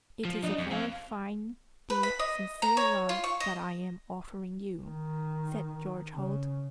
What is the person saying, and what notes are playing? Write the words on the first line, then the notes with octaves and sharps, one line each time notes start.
"It is a very fine, deep, sincere love that I am offering you," said George Holt.
F3
D4 D#5
F2
C4 F5
B4
B5
D#5
A#5
C#5
F4
C#6
D#5
D#3
C#3